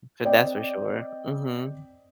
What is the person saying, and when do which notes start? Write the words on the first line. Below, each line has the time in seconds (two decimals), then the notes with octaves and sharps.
So that's for sure. Mhm.
0.25 C4 D5 D#5 G5